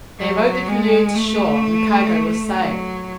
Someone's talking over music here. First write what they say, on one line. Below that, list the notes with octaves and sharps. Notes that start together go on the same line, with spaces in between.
They rowed the canoe to shore and the cargo was saved.
F#3
G#3
A3
F#3